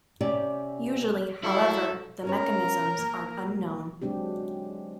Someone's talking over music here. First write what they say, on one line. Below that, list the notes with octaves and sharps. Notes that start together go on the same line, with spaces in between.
Usually, however, the mechanisms are unknown.
C3 C#4 G4 D5
F3 F#3 E4 A4
B3 C#4 A#4 C#5
A#3
F#3 G#3 C4 D4 G4